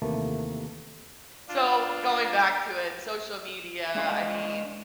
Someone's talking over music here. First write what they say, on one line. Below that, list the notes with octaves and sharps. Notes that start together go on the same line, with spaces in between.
so, going back to it, social media, I mean,
D#2 C3 E3 A3 A#3 A5
D4 F4
G#3 D4 D5 D#5 F5